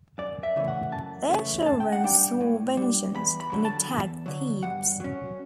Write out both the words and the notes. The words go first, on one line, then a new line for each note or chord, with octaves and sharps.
Their children swore vengeance and attacked Thebes.
F#2 D5
E5
C#3 E3 A3
F#5
F#2 A5
C#3 E3 A3
A2 A5
G5
F#5
G3 D4 G5
A2
G3 D4
E2 B5
B5
D3 F#3
A5
E2
D3 F#3
G2 F#5
F#3 C#4